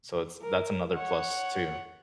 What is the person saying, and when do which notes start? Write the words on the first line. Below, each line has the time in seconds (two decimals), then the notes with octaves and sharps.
So it's that's another plus, too,
0.41 A#4
0.94 C#5 F#5